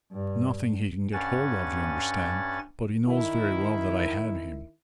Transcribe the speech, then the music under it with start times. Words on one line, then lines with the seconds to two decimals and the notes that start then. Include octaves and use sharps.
Nothing he can get hold of, you understand; but he knows very well that I had him.
0.12 G2
1.13 G2 C#4 F#5 G#5 A6
3.06 D#3 E4